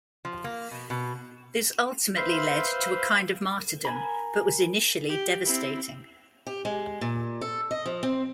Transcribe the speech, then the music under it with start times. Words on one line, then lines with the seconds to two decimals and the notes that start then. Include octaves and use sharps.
This ultimately lead to a kind of martyrdom but was initially devastating.
0.25 F3
0.44 A#3
0.71 B2
0.90 B2
2.16 B4 C5 E5 F5 C6
3.85 A#4 G#5 B5
5.09 G4
5.44 C4 E4
6.47 G4
6.65 G#3
7.01 A#2
7.41 A4
7.71 D#5
7.86 F3
8.03 C4